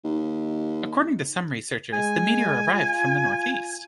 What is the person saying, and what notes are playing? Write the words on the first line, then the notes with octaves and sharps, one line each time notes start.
According to some researchers the meteor arrived from the north-east.
D#2
G#3 G#5
F4